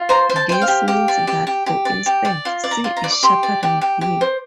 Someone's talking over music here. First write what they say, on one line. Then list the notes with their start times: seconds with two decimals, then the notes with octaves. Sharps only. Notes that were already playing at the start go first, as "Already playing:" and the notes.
This means that, for instance, C' is sharper than B.
Already playing: F4
0.09 C5 A#5
0.30 C5
0.36 A5
0.49 C5 G5
0.62 F5
0.68 G4
0.88 G4
1.08 D5
1.27 G4
1.47 G4
1.66 G4
1.85 D5
2.06 G4
2.25 D5
2.45 F4
2.64 D5
2.71 A#5
2.84 F4
2.97 A#5
3.04 D5
3.11 D6
3.23 G4 C6
3.43 D5
3.63 G4
3.81 G4
4.01 G4
4.21 C5